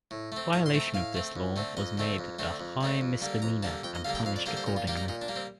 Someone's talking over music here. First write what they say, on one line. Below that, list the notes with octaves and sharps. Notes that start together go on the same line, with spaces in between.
Violation of this law was made a high misdemeanor and punished accordingly.
A2
A3 C4
A2 A#5
C6
A3 C4
A#5
A2 F5
A3 C4
F2
D3 A3 C4
F2 D#5
D3 A3 C4
F2
D3 A3 C4
F2
D3 A3 C4
F2
D3 G3 A#3
F2 A#5
D3 G3 A#3 A5
F2 G5
D#5
D3 G3 A#3 F5
G5
F2 F5
D5
D3 G3 A#3 C5
C5
A#2 D#4
F4
G3 A#3 G4
D#4
A#2 D#4
D4
G3 A#3
C4